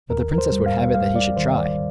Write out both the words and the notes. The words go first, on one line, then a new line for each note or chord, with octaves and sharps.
But the princess would have it that he should try.
D#2 A#4
A#4
C5
G3
F5
G3 F5
D5
D#3 C5
D5